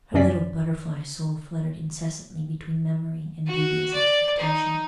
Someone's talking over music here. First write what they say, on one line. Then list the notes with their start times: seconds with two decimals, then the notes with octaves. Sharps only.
Her little butterfly soul fluttered incessantly between memory and dubious expectation.
0.14 F#2 C3 C#4 D5 B6
3.47 F#4
3.94 D5
4.39 D#4